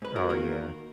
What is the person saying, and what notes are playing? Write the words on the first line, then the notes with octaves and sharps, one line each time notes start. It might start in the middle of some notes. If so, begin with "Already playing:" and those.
Oh yeah.
G#2 B4
F#4 A#4
D#3 A#3 F#4 A#4